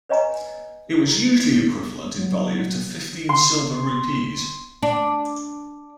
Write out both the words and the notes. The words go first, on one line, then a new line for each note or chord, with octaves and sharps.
It was usually equivalent in value to fifteen silver rupees.
B4 C#5 D#5 G#5 A#5
E4
F#3
C6
D4